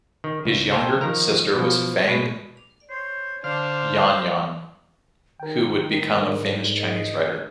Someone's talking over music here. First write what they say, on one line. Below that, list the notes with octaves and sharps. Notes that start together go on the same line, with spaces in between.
His younger sister was Feng Yuanjun, who would become a famous Chinese writer.
D#3
C#2
A4 C5 F5 G5 G#5 A#5
D#3 F3 A#4 A#5
B2 F3
B2 G#3
C5 C#5
D3 D4 C5 F5 C6 F6
D#3 A#4 G5
G#2 D4 G#4 A#4
D#5